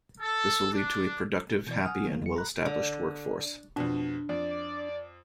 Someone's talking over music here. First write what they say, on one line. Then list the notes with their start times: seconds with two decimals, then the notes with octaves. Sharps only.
This will lead to a productive, happy, and well established work force.
0.21 A4
0.73 D4
1.67 B2 E3 D5
1.85 F#5 G#5 D#6 F6
2.06 D#3 A#3 B3
2.22 F2 F#3 C#7
2.36 A#5 B5 F#6
2.65 D3
3.76 F2 B2 D4
4.29 F2 D5